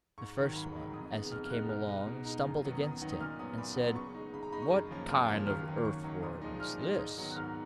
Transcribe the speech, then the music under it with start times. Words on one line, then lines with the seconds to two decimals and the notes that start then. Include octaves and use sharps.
The first one, as he came along, stumbled against him, and said: 'What kind of earthworm is this?'
0.18 G#2 C#6
0.37 D#3 F#3
0.55 G#2 B5
0.75 D#3 F#3
0.93 F2 D#6
1.12 C#3 G#3 B3 D#4
1.31 F2 F6
1.45 F6
1.50 C#3 G#3 B3 D#4 F#6
1.69 B2 F6
1.88 G#3 D#4
2.07 B2
2.25 G#3 D#4
2.45 F#2
2.64 D#3 F#3 B3 D#4
2.82 F#2 D#6
3.01 D#3 F#3 B3 D#4
3.12 D#6
3.20 A#2 F6
3.39 F#3 B3 D#6
3.58 A#2 B5
3.77 F#3 B3
3.96 C#3 C#6
4.14 G#3 D#4
4.33 C#3 B5
4.43 A#5
4.52 G#3 D#4 B5
4.62 C#6
4.71 F#2
4.90 C#3 F3 A#3 C#4
5.09 F#2 F6
5.28 C#3 F3 A#3 C#4
5.46 D#2 F6
5.66 D#3 F#3 C#4
5.85 D#2 C#6
6.03 D#3 F#3 C#4
6.23 A#2 D#6
6.42 F3 G#3 D#4
6.60 A#2 F6
6.79 F3 G#3 D#4
6.98 G#2 D#6
7.17 D#3 F#3 B3 D#4
7.31 F#6
7.36 G#2 F6